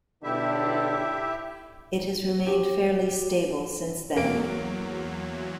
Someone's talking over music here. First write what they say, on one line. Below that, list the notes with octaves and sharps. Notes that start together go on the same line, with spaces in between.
It has remained fairly stable since then.
B1 D3 D4 E4 G4 E5
G4
E2 F#3 A#3 D7